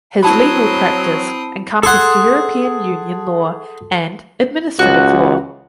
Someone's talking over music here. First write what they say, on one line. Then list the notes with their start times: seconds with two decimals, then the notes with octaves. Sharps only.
His legal practice encompassed European Union law and administrative law.
0.23 F#3 C4 E4 A5 B5 D#6
1.83 G#4 A4 F#5 C6
4.79 C#2 F#4